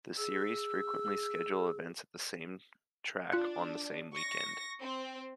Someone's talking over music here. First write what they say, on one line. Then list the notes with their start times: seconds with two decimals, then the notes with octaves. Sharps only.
The series frequently schedule events at the same track on the same weekend.
0.18 G#4 E6
3.32 D4 F4 F#6 C#7
4.12 C#6 A#6
4.80 C4